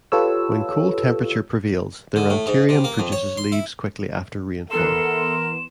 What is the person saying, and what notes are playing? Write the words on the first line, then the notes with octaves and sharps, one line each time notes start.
When cold temperature prevails the Rhanterium produces leaves quickly after rainfall.
F4 G4 A4 B4 C#5 E6
D3
A2
G#2
C3
A#3
F2
C#5
C6
E4
E3 B3 A4 A#4 C6 E7